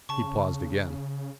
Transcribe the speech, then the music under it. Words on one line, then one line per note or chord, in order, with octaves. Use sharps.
He paused again.
C#3 A5 C#6